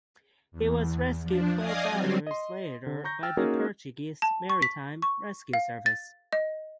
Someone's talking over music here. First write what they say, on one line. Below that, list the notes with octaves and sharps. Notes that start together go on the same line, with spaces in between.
He was rescued twelve hours later by the Portuguese Maritime Rescue Service.
E2
F3 D4
D5 D#5 F5 G#5 D#6
F#3 G3 C4
D#5 C6
D3
A#5 C#6 G6 A#6
G5 E6 F6 A6
A#3 C#4 D#4 F#4 G#4 A#4
A5
C#6
B6
C#6
F5
A6
D#5